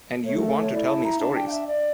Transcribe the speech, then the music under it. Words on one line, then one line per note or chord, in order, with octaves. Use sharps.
And you want me to tell stories!
A3 C#5
A#4
A#4
C#5
E4 D5
A5
A#5
D4 A5
G5
F5
E5
D5